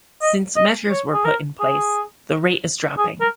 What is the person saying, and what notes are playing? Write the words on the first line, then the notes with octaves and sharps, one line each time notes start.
Since measures were put in place the rate is dropping.
D#5
D#5
C#5
G#4
A#4
G#4
G#4
A#4